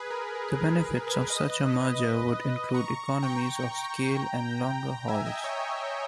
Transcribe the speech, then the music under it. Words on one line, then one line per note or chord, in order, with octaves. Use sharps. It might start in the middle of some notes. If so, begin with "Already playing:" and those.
The benefits of such a merger would include economies of scale and longer hauls.
Already playing: G#4 B4
A#4
G#4
A#4
G#4 B4
G#4 B4
B4 D#5
A#5 C#6
G5 A#5
G5 A#5
E5 G#5
D#5 G5
C#5 E5